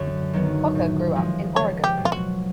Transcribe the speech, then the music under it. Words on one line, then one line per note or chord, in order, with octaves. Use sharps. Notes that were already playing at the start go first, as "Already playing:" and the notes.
Kocher grew up in Oregon.
Already playing: F#2 D3 C#5
D#3 F#3 B3
A2
F3 G#3
C#2 C#5
G4
B2 F#3
F4
F#4